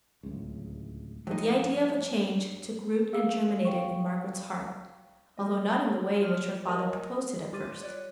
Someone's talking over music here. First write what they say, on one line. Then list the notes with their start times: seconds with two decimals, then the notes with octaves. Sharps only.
But the idea of a change took root and germinated in Margaret's heart, although not in the way in which her father proposed it at first.
0.23 D1 C#2
1.27 G2 F3 D#4
3.13 G#4 F5 E6
3.65 F5 G5 C#6
5.38 G#3 G4 D#5
6.21 F4 G4 C#5 F6
6.66 F#4 G4 A#4 D#5 G#5
7.52 G3 F4 G4 D6 A6 D#7
7.81 C#5 D5 F#6